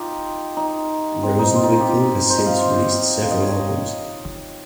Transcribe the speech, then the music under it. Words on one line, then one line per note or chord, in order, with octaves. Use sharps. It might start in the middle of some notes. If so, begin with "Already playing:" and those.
Rosenwinkel has since released several albums.
Already playing: D#4 F4 G4
D#4
C4
D#4
F4
D#4
F4
G4
F4
C5
D#5
F5
F5
D#5
C#5
D#5